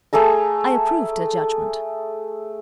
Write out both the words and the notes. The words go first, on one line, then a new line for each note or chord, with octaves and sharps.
I approved her judgment.
A3 G#4 A4 A#5